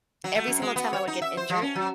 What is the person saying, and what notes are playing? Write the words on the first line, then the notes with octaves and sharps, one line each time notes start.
every single time, I would get injured
F#3
A3
F#2
G#3
B3
C#5
D#4
E5
C5
F3
C#4
F#3